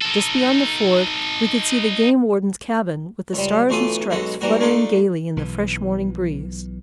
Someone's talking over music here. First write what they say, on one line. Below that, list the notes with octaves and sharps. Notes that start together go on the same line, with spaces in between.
Just beyond the ford we could see the game-warden's cabin, with the stars and stripes fluttering gayly in the fresh morning breeze.
D#4 A4
C#2 G3
B1 E3 A3 F4 A4 D#6
B1 B2 G#3 F#4 A4
E3 G3 A#3 F#4
A3 D4 D#4 F4 A4
B1 E3